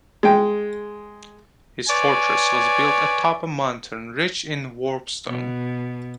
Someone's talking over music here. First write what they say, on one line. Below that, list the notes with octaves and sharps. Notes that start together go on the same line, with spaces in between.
His fortress was built atop a mountain rich in warpstone.
G#3 G5
B4 C#5 D5 G#5
B2